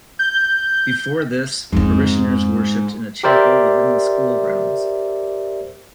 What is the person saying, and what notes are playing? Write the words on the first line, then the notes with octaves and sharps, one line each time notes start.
Before this, parishioners worshipped in a chapel within the school grounds.
G6
F2 G#2 C4
G4 A#4 C5 D5 E5